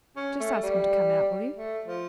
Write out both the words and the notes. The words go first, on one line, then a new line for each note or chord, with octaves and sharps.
"Just ask him to come out, will you?"
C#4
A3
G3
A3
F3